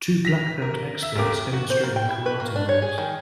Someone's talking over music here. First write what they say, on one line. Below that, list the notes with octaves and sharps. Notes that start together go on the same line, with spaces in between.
Two black belt experts demonstrating karate moves.
A#6 B6 F7
A#4
E5
E1 C#3 A3 G4 A#4 D6
F#4
C5
A#3
G5
E4
B4
A#3
D4
C#5
G#4
D#3